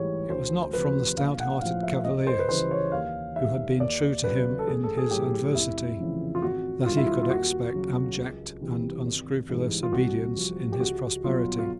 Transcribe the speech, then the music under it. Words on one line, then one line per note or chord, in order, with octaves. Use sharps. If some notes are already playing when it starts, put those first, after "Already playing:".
It was not from the stouthearted Cavaliers, who had been true to him in his adversity, that he could expect abject and unscrupulous obedience in his prosperity.
Already playing: A1 G#2 E3 G3 C#5
D2 C5
C3 F3 B4
A#1 F5
F#5
A2 F3 F5
E5
C#2 D#5
C5
B4
C#3 E3 G3 C5
C#5
D#2 F5
D#3 G3 E5
D#2 D5
C#3 F#3 B4
A4
A1 G#4
A4
G#4
A2 F#3 G4
F1 E4
F2 C#3 E3
F4
G#1 F#4
G2 D#3 F4
E4
F4
F4
D#2 F#4
C#3 F#3
C#2
C3 E3 G3
G#1
G#2 E3 G3
F4
C2 F#4
C3 F3
G4
C#2 F#4
B2 F#3 F4
F4